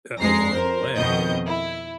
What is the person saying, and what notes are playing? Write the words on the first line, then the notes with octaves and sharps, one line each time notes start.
uh, along the way
F2 G#3 A#5 A#6 C7
A#4 C5
F2 B2 D#3 D#5 G6
E4